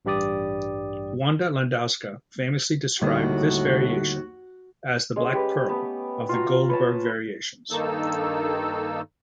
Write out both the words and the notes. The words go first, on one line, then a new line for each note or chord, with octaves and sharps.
Wanda Landowska famously described this variation as "the black pearl" of the "Goldberg Variations".
A1 G2 G3 G4 D5 D#6
D#2 A2 D3 D#3 G3 F#4
G#3 C#4 D#5
G4 B4
A3 B3
F4 F#4 A#5
F5
B4 C#5 A5
G2 D#3 A#3 D#4 A4 E6